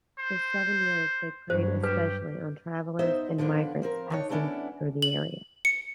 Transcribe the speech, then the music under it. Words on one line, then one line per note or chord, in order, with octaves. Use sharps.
For seven years they preyed especially on travelers and migrants passing through the area.
C5
G2 F#3 C5
G4 B4
B3 D#4 C5 D#5 E5
D3 F3 B3 D4
F3 C4 A#4
D4 D#4 C#5
E3 A3 B3 C#4 D4 E4
F#7
C#7